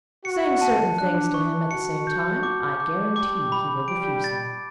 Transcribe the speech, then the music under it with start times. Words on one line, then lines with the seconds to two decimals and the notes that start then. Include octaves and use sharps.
"Saying certain things to him at the same time, I guarantee he will refuse them."
0.25 F#4 C#7
0.61 A5
0.98 D4 F#6
1.34 C#6
1.71 F#4 C#7
2.07 G6
2.43 D6
2.80 D6
3.16 G3 G4 D6
3.52 B5
3.88 G3 G4 D7
4.24 A6